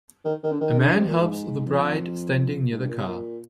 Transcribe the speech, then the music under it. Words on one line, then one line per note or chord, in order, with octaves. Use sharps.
A man helps the bride standing near the car.
D#3
D#3
D3
D#3
D3
C3
A#2
G#2
G#2
F2
G#2
G2
A#2
C3
A#2